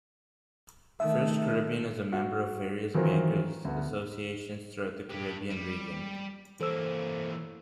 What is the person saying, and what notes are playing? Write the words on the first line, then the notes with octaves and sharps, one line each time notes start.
FirstCaribbean is a member of various Bankers Associations throughout the Caribbean region.
D#3 A3 E5
F#4
D#3 E3 F#3 C4 F4 A#4
D2 B3
G4 B4
G3
E3 A#3 A4 C5 E6